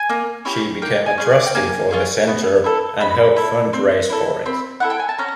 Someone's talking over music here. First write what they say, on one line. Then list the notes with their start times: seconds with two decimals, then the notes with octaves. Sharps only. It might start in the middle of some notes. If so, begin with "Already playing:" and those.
She became a trustee for the centre and helped fundraise for it.
Already playing: G#5
0.09 A#3
0.45 C#4 E4 G4
0.82 A#3 G5
1.06 G#5
1.18 C#4 F4 G#4
1.30 D5
1.46 G5
1.55 A#3 G#5
1.91 C#4 F4 G#4
2.27 B3
2.64 E4 A4
3.01 B3 B5
3.36 E4 A4
3.73 C4
4.10 E4 A4
4.46 C4 B5
4.80 E4 A4 F#5
4.90 G5
5.00 G#5
5.09 A5
5.18 C#4 A#5